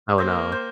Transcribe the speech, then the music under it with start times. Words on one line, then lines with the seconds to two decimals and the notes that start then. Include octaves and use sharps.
Oh, no.
0.18 A#3 C5
0.52 C5